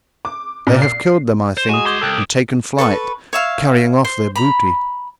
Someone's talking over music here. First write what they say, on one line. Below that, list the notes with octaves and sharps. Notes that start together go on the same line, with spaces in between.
They have killed them, I think, and taken flight, carrying off their booty.
D6
A#2
C7
C5
G#3 F#4 G#5 D#6 E7
G2 C6 D6 G6 G#6
C2 A4 G5 E6 F#6 D7
A4 B4 C#6
C#5 E5 F5
C5
A#5 B5